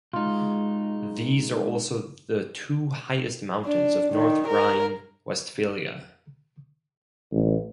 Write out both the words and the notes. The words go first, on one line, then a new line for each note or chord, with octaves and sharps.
These are also the two highest mountains of North Rhine-Westphalia.
B2 G#3 D#4 F4
D4
D#3
A#4
A1